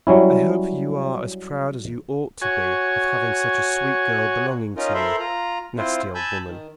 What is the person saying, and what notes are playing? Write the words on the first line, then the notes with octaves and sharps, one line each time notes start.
"I hope you are as proud as you ought to be of having such a sweet girl belonging to you." Nasty old woman!
F#3 G3 C#4 E4
F#4 C#5 G#5
C#4 D#4 F4 A#4
A4 A#4 C5 E5 B5 C6
F4 A#5
C4 E4 F4 C5
G#5 A5 B5 E6 G6
D#3